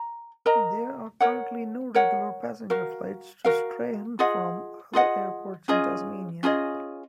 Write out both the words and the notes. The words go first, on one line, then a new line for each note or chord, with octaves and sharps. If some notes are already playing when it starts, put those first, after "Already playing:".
There are currently no regular passenger flights to Strahan from other airports in Tasmania.
Already playing: A#5
A#4 D#5 A#5
A#4 C#5 F#5
A#4 C#5 F#5
F#4 A#4 F5
F#4 A#4 F5
F4 G#4 D#5 F#5
F4 G#4 D#5 F#5
C#4 F4 G#4 D#5
C#4 F4 G#4 D#5